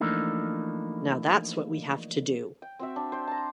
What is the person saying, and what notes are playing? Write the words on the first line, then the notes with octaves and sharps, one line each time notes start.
Now that's what we have to do.
E3 F3 A3 A#3 D4 D#4
G5
C4 F#4 E5
D4
C5 G5
A5 A#5